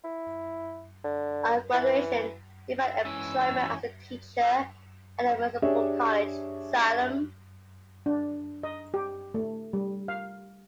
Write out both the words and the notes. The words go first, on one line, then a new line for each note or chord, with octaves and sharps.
On graduation, he found employment as a teacher at Municipal College, Salem.
E4
D3
E3
G#2 E3 C#4 G#5 E6
D4 G4 G#4 C#5 E5
D4
D#5
G4
A3
G3
F5